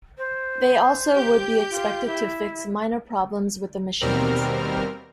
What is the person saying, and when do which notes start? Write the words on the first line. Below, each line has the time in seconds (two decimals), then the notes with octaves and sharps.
They also would be expected to fix minor problems with the machines.
0.18 C5
1.14 G4 G6
1.70 F4
2.06 E4
4.01 D#2 B2 G3 C4 A#4 F6